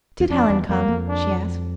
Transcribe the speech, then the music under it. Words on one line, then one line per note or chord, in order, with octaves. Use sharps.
"Did Helen come?" she asked.
E2
F2 D4
E2
F2 A#3
F2
D4